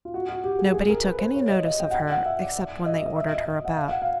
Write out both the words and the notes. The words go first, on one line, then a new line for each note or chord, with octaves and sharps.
Nobody took any notice of her except when they ordered her about.
F4
F#4
F#4
G4
G#4
G#4
A#4
B4
C5
C#5
D#5
D#5
G5
F#5
G5
F#5
E5
D5
D#5
E5
D#5
E5
D#5
E5
D#5
F#5
F5
F#5
F5